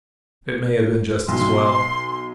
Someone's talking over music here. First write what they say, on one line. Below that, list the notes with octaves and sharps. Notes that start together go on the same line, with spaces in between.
It may have been just as well.
B1 C6
B1